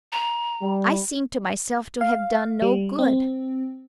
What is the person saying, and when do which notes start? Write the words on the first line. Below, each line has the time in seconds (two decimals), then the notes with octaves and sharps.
I seemed to myself to have done no good.
0.12 A#5
0.62 G3
2.01 F5
2.62 G3
2.99 C4